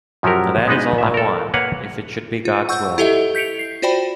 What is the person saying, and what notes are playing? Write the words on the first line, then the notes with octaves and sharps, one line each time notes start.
Now that is all I want: if it should be God's will.
F#2 F3 F#3 F#4 G4 A#4
G#3 B3 D4 D#4 B4 D#5
A2 E5
A4 A#4
A#3 B4 C#5 F5 F#5
F4
F#5 C#6 E6 G6
E4 G4 A4 D#5 E5
G6 B6 C#7 D7 F7
C7
F4 F#4 C5 D5 G5 B5